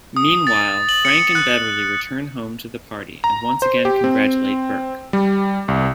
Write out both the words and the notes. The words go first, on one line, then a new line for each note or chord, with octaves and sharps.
Meanwhile, Frank and Beverly return home to the party and once again congratulate Berke.
D#6
A6
F#7
C#7
F#6
A#5
C5
G4
C4
G3
C2